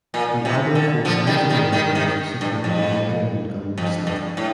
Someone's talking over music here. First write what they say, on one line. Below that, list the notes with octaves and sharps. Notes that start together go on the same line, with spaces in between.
The other four council members supported Monica Montgomery Steppe.
A#2
C3
D3
D3 F3
D#3 G3
D#3 G3
D#3 G3
C3 D#3
G2
F2
F2
G2
A2